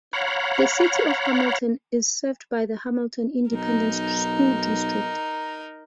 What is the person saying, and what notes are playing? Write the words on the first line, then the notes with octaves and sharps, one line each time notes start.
The City of Hamilton is served by the Hamilton Independent School District.
C#5 F5 F#5 A#5 B5
B1 D#4 A#4